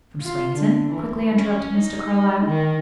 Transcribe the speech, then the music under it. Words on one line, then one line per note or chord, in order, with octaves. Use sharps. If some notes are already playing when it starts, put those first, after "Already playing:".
"From Swainson?" quickly interrupted Mr. Carlyle.
F4
D3
E3
C#4
D#4
D#3